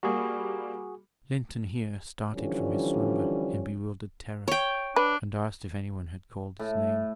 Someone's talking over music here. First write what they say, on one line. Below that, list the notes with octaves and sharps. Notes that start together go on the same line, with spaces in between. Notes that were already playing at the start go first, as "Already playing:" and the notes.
Linton here started from his slumber in bewildered terror, and asked if any one had called his name.
G3 A#3 F#4 G#4
D3 E3 F3 G3 C#4
C#5 G5
D4 B4
A2